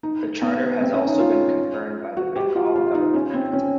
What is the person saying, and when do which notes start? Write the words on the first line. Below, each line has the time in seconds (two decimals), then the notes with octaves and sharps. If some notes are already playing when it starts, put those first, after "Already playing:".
The charter has also been confirmed by the Bengal Government Act.
0.03 D#4
0.42 B3
0.81 C4
0.94 C#4
1.07 D#4
1.19 F4
2.17 F#4
2.36 G4
2.55 F4
2.76 F4
2.95 D#4
3.14 C#4
3.34 C4
3.53 C#4